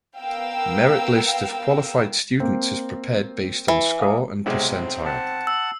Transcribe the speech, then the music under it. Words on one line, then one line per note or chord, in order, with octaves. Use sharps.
Merit list of qualified students is prepared based on score and percentile.
B3 A#4 F5 G5 E6
A#3 C4
E3
F5 D6 D#6
B1 C3 G#3 C4
F#5 A5
E6